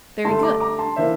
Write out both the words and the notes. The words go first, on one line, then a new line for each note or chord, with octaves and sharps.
Very good.
G2 D3 A3 A5 C6
A#5 D6
A#5 D6
A5 C6
E3 A#3 D4 C5 E5